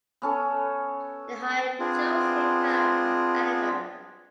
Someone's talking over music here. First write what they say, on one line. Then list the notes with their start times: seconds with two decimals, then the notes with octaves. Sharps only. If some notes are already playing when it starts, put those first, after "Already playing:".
They hired Joseph Farah as editor.
0.22 B3 C#4 A4
1.79 B3 C4 D4 F4 G#4